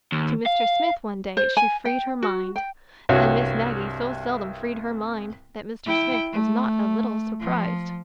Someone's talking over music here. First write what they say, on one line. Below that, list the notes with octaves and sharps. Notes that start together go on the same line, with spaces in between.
To Mr. Smith, one day, she freed her mind--and Miss Maggie so seldom freed her mind that Mr. Smith was not a little surprised.
D#2
F5
C5
G#5
G5
F#4
G5
C2 G2 C3 F#4 C#5
E4 G5
A3
F3